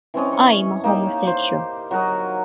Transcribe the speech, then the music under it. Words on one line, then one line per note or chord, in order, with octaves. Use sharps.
I'm a homosexual.
E3 C4 C#4 D#5
C#6
A#3 D#4 G4
C5
F#3 F#4 A#4 D#5